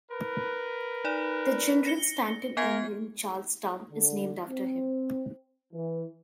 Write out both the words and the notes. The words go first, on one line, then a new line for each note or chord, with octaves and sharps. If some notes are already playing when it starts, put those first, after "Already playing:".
The General Stanton Inn in Charlestown is named after him.
A#4 B4
D#4 D5
A#6 C#7 G7
B3 A#4 F5 G#5 C6 G#6
D3
C4
E3